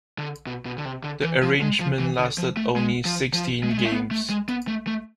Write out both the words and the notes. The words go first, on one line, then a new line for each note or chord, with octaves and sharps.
The arrangement lasted only sixteen games.
D3
B2
B2
D3
C3
D3
E3
F3
G#3
F3
E3
D3
F3
A3
G#3
F3
F3
G#3
A3
G#3
A3
B3
A3
G#3
B3
A3
A3